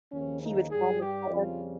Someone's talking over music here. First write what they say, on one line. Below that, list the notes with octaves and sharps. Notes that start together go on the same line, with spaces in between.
he would fall on the floor.
D#2 C#3 F3 C#4
D#4
G2 G3 G#4
G4
F2 C#3 G3 F4